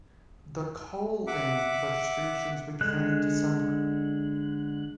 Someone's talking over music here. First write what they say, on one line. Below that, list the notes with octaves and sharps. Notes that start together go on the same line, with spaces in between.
The "call-in" registrations began in December.
E5 F#5 D6
D3 G#3 F#6